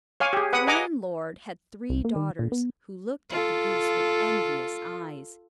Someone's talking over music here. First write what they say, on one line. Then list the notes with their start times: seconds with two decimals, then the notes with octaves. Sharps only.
The landlord had three daughters, who looked at the goose with envious eyes.
0.20 C#5 F5 G#5 D6
0.33 G4 G#4
0.53 B4 F#5 D#6
0.67 D#5 F#5 G#5 A#5 D6
1.90 C2
2.05 A#3
2.16 D#3
2.39 A#2
2.52 B3
3.30 F4 A4